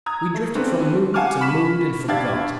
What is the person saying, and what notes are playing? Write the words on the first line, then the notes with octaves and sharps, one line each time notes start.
We drifted from mood to mood and forgot.
A#5 D#6 G#6
A3
C#3 A3 B3 C4 D4
F5 F#5 G#5 A5 D6 F6
B5 C#6 B6 E7
D4 G4 E5 F5 G#6 A6